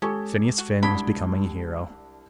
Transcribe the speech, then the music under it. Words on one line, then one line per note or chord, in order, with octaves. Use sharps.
Phineas Finn was becoming a hero.
G#3 C#4 G4 A4 C#6
F#4
C2 G#3 D4 G4 A5 B5